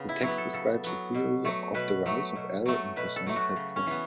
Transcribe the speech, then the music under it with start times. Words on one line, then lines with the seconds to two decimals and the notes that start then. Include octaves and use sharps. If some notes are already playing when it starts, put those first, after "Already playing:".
The text describes a theory of the rise of Error in personified form.
Already playing: C#3 B3
0.09 E4
0.23 F#3 B3 E4
0.38 A4
0.53 C#3 A4
0.84 F#3 B3
1.14 B2
1.45 F#3 A3
1.74 B2 B4
2.06 F#3 A3
2.36 B2
2.65 F#3 A3
2.96 B2 B4
3.16 A4
3.26 F#3 A3
3.36 F#4
3.56 C#3
3.76 C#4
3.86 E3 B3